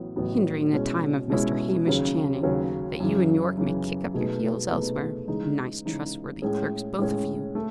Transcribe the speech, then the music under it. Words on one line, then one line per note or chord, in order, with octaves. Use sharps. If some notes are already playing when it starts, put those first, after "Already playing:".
"Hindering the time of Mr. Hamish Channing, that you and Yorke may kick up your heels elsewhere! Nice trustworthy clerks, both of you!"
Already playing: A1 A2 F#3 B3
A1 A2 F#3 B3
B2 G#3 C#4 E4
B2 G#3 C#4 E4
D#2 C#3 F#3 C#4
D#2 C#3 F#3 C#4
F#2 C#3 E3
F#2 C#3 E3
B2 A3 D#4 G#4 B4
B2 A3 D#4 G#4 B4
C#3 E3 G#3 D#4
C#3 E3 G#3 D#4
A2 G#3 C#4 G#4
A2 G#3 C#4 G#4
A3